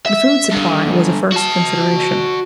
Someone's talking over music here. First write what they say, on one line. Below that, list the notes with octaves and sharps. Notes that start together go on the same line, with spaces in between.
The food supply was a first consideration.
E5
G2 D3
F#4 A5